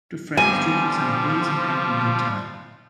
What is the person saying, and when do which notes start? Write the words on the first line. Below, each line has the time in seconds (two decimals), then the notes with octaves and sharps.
Two friends drinking some beers and having a good time.
0.37 D3 F3 G3 B3 C4 F4 G#5